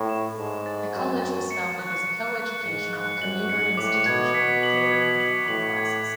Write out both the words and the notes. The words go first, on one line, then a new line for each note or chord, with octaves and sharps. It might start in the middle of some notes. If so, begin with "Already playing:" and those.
The college was founded as a coeducational, commuter institution with day and evening classes.
Already playing: A2
E7
G#2 C#6
A6
F#2 C#6
A6
C#7
F#6
C#7
F#6
G#2 C#7
F#6
F#2 F#7
G#2 C#7
A2 D6
B2 G#6
B2 B6
F#7
G#6
F#7
A2 F#7
G#6